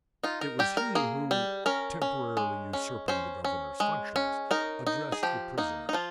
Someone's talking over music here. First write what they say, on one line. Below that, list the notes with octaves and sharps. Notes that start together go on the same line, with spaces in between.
It was he who, temporarily usurping the governor's functions, addressed the prisoner.
D#4 F4
A#4
G3 G4
A#4
A#3 G#4
G3
C#4 A#4
C#4
G#3
C#4
C#4 C5
C#4
G#3
C#4
D#4 A#4
D#4
G#4
F3 G4
A#3 D#4
D#4
F3 F4